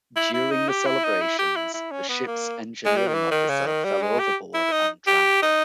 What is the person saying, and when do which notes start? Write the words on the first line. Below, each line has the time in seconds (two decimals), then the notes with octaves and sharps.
During the celebrations, the ship's engineering officer fell overboard and drowned.
0.16 E4
0.34 E4
0.51 D#4
0.69 G4
0.86 E4
1.04 D#4
1.22 E4
1.39 G4
1.56 E4
1.74 E4
1.92 C#4
2.09 B3
2.27 A#3
2.86 G#3
2.97 G3
3.08 D#3
3.14 E3
3.32 D#3
3.49 C#3
3.67 D#3
3.85 G3
4.02 G#3
4.19 G4
4.54 E4
4.72 D#4
5.07 G4
5.42 D#4